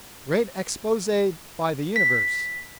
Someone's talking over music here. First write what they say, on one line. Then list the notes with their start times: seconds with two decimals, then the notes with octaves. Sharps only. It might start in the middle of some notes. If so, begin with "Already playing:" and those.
Great Expose by the 'Universe'!
1.96 B6